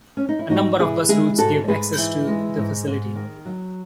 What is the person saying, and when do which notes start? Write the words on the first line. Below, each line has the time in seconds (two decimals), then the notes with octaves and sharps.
A number of bus routes give access to the facility.
0.17 C#4
0.29 D#4
0.39 E4
0.50 G#2 D#4 F#4
0.79 E3 E4 G#4
1.09 G#3 E4 G#4
1.38 G#2 F#4 A4
1.68 G#2 G#4 B4
1.97 E3
2.27 G#3
2.57 G#2
2.87 G#2
3.15 D#3
3.45 F#3